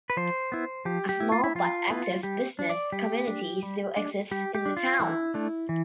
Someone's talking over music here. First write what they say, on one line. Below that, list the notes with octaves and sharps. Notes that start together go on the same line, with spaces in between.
A small but active business community still exists in the town.
B4
F3 C5
B3 E4
F3 G4
G4
B3 E4
F4
E4
F3 F4
B3 E4
G3 G4
D4
D5
G3 G4
D4
G3
D4
G3 G4
G4
D4
F4
E3 E4
A3 D4
E3